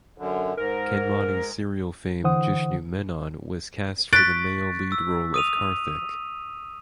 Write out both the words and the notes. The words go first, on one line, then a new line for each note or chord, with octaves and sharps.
Kanmani serial fame Jishnu Menon was cast for the male lead role of Karthik.
F#2 D3
G#2 A#4
D3 E3 C5 F#5 D#6
C#6 F#6 A6 B6 D7
E6
D#6 D#7 F7